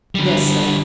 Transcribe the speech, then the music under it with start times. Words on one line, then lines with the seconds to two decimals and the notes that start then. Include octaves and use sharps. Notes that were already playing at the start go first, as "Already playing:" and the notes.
"Yes, sir."
0.15 D3 G3